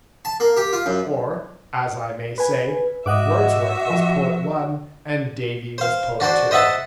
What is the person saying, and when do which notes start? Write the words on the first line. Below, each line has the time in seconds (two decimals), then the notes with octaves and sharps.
Or, as I may say, Wordsworth was poet one, and Davy was poet two.
0.25 A5
0.40 A#3
0.57 G4
0.73 F4
0.86 F#2
2.38 B4 G#5
3.06 G#2 F#4 D#5 E5 F#5 D6
3.90 F3
5.78 C5 F5
6.20 D4 F#4 C5 D5
6.51 C5 D#5 E5 F#5 A5